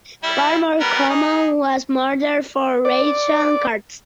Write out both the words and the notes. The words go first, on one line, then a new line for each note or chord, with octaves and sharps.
Far more common was murder for ration cards.
G3 E4
G3 B3 A#4
D#4 G#4
D5